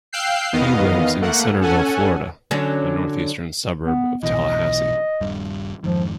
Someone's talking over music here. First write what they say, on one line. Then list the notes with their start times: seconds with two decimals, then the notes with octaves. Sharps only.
He lives in Centerville, Florida, a northeastern suburb of Tallahassee.
0.13 F5 G5 E6 F#6 G6 C7
0.53 E2 D#3 B3 D#5 F5
1.21 A3 A#3 F#5
1.61 C#4 A4 F#5 G#5
2.51 D3 F#3 C#4
3.85 B3
4.23 B1 B2 E3 D#5
5.21 D#1 G2
5.84 F2 G#2 D#3 F3